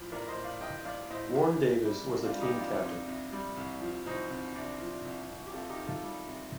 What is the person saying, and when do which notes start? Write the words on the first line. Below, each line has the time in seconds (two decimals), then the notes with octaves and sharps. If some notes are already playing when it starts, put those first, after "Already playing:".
Warren Davis was the team captain.
Already playing: A2 F3
0.12 A1 A#4 D5
0.28 C5 D#5
0.36 A2
0.44 D5 F5
0.60 A1 D#5 G5
0.85 A1 D5 F5
1.10 A2 C5 D#5
1.35 A1
1.60 C3
1.84 G3
2.09 C3
2.25 D4 F4
2.33 G3
2.41 D#4 G4
2.57 F2 D4 F4
2.82 F2
3.07 C3
3.32 G3
3.57 C2
3.81 F3
4.06 C2 C4 D#4
4.30 C2
4.55 C3 D4
4.80 F3
5.05 C2
5.29 C2
5.46 G4
5.54 C3 F4 A4
5.69 D#4 G4
5.78 D#3
5.86 F4 A4
6.03 G3
6.27 C3